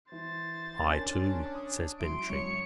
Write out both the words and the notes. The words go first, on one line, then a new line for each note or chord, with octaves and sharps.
"I, too!" says Bintrey.
E3 C5 A6
C#4 D4 A#4 G#5
D#6
F#3 E4 C6 D7
F#2 F#3 C#5 C#7